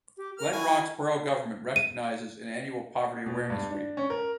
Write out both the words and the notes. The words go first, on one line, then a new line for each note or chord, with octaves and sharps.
Glen Rock's borough government recognizes an annual Poverty Awareness Week.
G4
A#4 F6
E4 F#4 G#5
D#7
B2
G2
D4
C#4
A#4